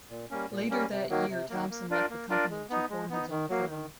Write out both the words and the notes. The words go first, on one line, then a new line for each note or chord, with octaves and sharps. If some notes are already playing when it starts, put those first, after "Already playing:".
Later that year Thompson left the company to form his own firm.
A#2
G3 A#3 C#4
A#2
G3 A#3 C#4
C3
D#3 F#3 A#3
C3
D#3 F#3 A#3
A#3
D4 F4 A#4 D5
A#3
D4 F4 A#4 D5
G#3
B3 D#4
G#3
B3 D#4
D#3
F#3 A#3
D#3